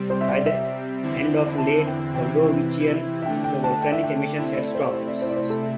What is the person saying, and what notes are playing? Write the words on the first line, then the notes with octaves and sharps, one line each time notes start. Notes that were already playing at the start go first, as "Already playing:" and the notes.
By the end of the Late Ordovician the volcanic emissions had stopped.
Already playing: C3 G3 C4
C5
E5
D5
E5
E2 D3 C4 E4
A5
G5
C3 E3 C4 E4 G5
E5
D3 A3 D4 G5
G5
A5
G5
E5
G5
C3 A3 C4 E4 E5
D5
C5
C5
D5
C5
D5
C5
A4